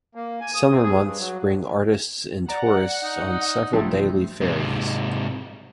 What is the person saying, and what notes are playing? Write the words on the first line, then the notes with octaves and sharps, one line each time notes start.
Summer months bring artists and tourists on several daily ferries.
A#3
G#5
D#6
C4
G#4
G2
F#3
D5 F#5 A#5
D#4
A1 G2 C3 F3 A3 D4
G#2 C3